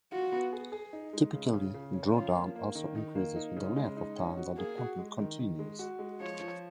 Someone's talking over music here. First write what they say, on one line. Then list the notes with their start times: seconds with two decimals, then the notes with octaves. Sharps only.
Typically, drawdown also increases with the length of time that the pumping continues.
0.12 F4 F#4
0.32 B3
0.52 G#4
0.72 G#4
0.93 D#4
1.13 G#3
1.34 C#3
1.53 C#3
1.74 C#3
1.94 C#4
2.14 F3 F4
2.35 A#3
2.55 A#3
2.75 D#3
2.95 D#3 D#4
3.15 A#3
3.36 D#4
3.57 C#3
3.76 G#3
3.97 D#4
4.17 C#4
4.37 F#4
4.57 A#3 G#4
4.78 F#4
4.98 G#3
5.19 D#3
5.39 D#3
5.59 G#3
5.79 F#4
5.99 G#3
6.20 F3 C#5
6.40 F3